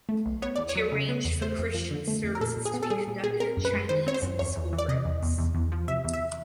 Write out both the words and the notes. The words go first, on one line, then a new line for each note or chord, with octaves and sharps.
She arranged for Christian services to be conducted in Chinese in the school grounds.
A3
B1
B3 C#5
E2 D5
C#5
F#3
C#3
B3
E2
A3 C5
F2
F3
D3
A3
F2
A#4
A#2 A4
A#2
G#4
B3
A4
G3 G#4
A#2
A#2 G#4
C4 A#4
F#2
B4
G#3
D#3 C5
C4 C#5
C5
F#2
E2 C#5
E2
E3
D5
C3 D#5
E2
E2
E2
E2
F3
C3 E5
E2
E5